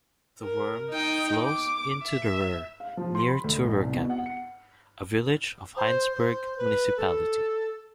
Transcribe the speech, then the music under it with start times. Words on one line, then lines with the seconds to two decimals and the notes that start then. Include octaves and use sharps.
The Wurm flows into the Rur near to Rurkempen, a village of Heinsberg municipality.
0.43 A#4
0.90 D#4 G5
1.43 D6
2.04 E5
2.80 F5
2.97 F3
3.15 C6
3.28 B5
3.44 D2
3.64 A1
3.78 C2
3.93 B2
4.10 F#5
4.26 C#7
5.76 C5
6.12 C5
6.58 B4
6.97 A4